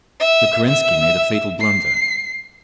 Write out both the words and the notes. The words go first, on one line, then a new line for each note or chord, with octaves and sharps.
But Kerensky made a fatal blunder.
E5
E5
C7